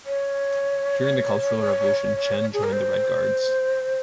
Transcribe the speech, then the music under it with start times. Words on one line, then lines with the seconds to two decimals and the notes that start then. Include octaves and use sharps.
During the Cultural Revolution, Chen joined the Red Guards.
0.06 C#5
2.54 G#4
2.64 A#4
2.73 C5